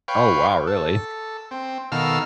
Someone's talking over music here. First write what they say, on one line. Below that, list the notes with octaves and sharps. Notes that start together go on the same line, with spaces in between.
Oh, wow, really?
B4 C#5 F5 G5
A4
C4
B2 D#3 A4 F5 E6 F6